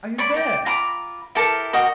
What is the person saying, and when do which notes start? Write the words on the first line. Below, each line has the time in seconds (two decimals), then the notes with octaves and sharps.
Are you there?
0.18 C#5 D5 B5
0.34 D5 G5
0.66 F4 A#5 B5 D6
1.35 E4 G4 A4 A#4
1.73 F#4 A#4 D#5 G5